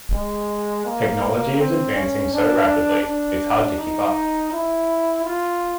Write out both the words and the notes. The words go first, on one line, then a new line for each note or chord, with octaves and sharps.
Technology is advancing so rapidly, it's hard to keep up.
G#3
A#3
C4
C#4
D4
D4
D#4
E4
F4